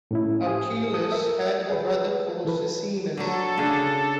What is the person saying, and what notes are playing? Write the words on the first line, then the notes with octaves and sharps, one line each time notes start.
Archelaus had a brother called Sisines.
A2 C#4 E4
G4 G#5 D#6
A4 D#6
A#4 E5
G#4 B4
E3 A4 B4
D3 F#3 A4
C#3 D4 G#4